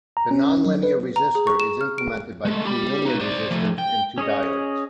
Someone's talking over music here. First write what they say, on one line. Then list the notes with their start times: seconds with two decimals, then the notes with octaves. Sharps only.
The nonlinear resistor is implemented by two linear resistors and two diodes.
0.17 A#5
0.31 C#4
0.66 F#3
0.83 B4
1.16 A#5
1.35 G#4
1.47 C#6
1.60 E7
1.81 F6
1.98 D7
2.45 G#3 A3
2.65 G4 B5
3.05 D#4 B4
3.20 C5 D5
3.51 F3 A3
3.78 G5
4.18 C#4 G#4 C#5 D#5